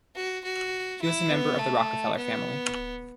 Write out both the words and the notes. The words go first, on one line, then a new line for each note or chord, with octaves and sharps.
He was a member of the Rockefeller family.
F#4
F#4
E4
B3
A3
B3